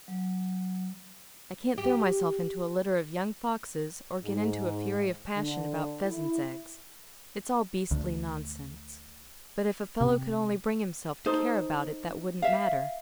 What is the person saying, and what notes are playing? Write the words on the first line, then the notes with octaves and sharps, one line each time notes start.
I can't throw myself into a litter of young foxes, or get into a fury of passion about pheasants' eggs. It's all beastly nonsense, but if a fellow could only bring himself to care about it that wouldn't matter.
F#3
G4
G#2
D3
E4
D2
C3
D#4 A4 C5
E5 F5